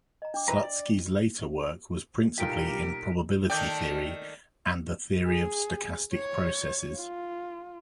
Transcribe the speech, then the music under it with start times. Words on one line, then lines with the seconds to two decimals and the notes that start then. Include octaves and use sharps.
Slutsky's later work was principally in probability theory and the theory of stochastic processes.
0.22 D#5 A#5
0.34 D4 D6
0.48 E3 B4 A#5
0.64 D5
2.38 B1 G3 F4 G4 A#4 G5 B6 D7
3.50 D#3 A3 D5 G5 G6
5.26 G#4
6.13 C#5
6.96 F4